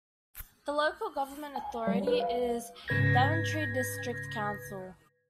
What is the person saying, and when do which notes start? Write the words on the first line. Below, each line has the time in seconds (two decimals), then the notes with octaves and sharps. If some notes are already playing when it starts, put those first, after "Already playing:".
The local government authority is Daventry District Council.
1.56 G#5
1.87 G3
2.07 B4
2.20 F5
2.88 G#2 C#3 B4 G#6 A#6